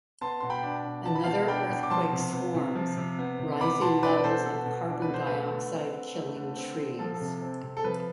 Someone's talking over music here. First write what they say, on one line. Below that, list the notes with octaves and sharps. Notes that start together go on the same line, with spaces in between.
Another earthquake swarms, rising levels of carbon dioxide killing trees.
B3 A5 C6
B2 C6
G5 B5
D4
B2
B3 A5
B5
B2 F5 A5
D4 G5 B5
B2
D6
F3 A5 C6
C3
B3
C3
F3
C3
B3
C3
B3 B5 D6
B2 A5 C6
D4 B4 D5
B4
B2 A4 C5
B3 A4
B2
D4
B4
B2 C5
A3 B4
D3
C4
D3
A3
D3
C4
D3
F3 A4
A4
C3
C4
C3
A4
F3 B4